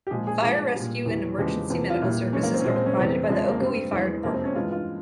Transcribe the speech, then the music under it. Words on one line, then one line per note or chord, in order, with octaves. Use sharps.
Fire rescue and emergency medical services are provided by the Ocoee Fire Department.
G4
A#2 F3 G#3 G#4
G#4
G2 F3 G#3 G#4
A#2 G3
E2 E3 G3
E2 C#3 F3 G#3 G4
E2 C3 F3
F4
A#2 G3 E4
G2 E3 G#3 C#4
A#3
C4
C#4
A#2 F3 G#3 C4
C4
C#4
E2 C3 E3 G3 C4
F2 C#3 F3 G#3
A#3
G2 G3 C4
E2 E3 G#3
F2 C3 F3 G#3 A#3
C4
C#4
G2 E3 G#3 F4
F4